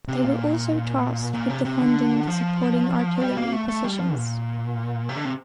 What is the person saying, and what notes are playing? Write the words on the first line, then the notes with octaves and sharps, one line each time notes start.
They were also tasked with defending the supporting artillery positions.
C3
A#2
A#2
C3
C3
D3
F3
G3
A#3
A3
A3
G3
F3
A#2
C3
D3
C3